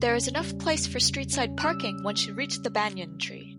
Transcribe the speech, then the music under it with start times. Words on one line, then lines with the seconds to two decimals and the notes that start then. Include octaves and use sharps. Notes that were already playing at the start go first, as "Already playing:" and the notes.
There is enough place for street-side parking once you reach the Banyan tree.
Already playing: E2 C#3 G3
0.09 C#4
0.40 G3
0.71 E2
1.02 C#3
1.33 C#4
1.58 F#6
1.64 G3 E6